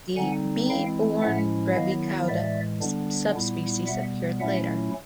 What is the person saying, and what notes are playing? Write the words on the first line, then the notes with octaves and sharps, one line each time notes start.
The "B. born brevicauda" subspecies appeared later.
D3 G3 C4 D#4 F#5 G#5
E3 G#3 C4 E4 F5 G5
A2 F3 G#3 C#4 E4 E5 F#5
D#3 F#3 B3 E4 D#5 F5
A2 E3 G#3 D5 E5
D3 G3 B3 D4
A#2 G3 B3 E4
B2 G3 B3 E5 F#5
A#2 F#3 A3 C#4 E4 E5 F#5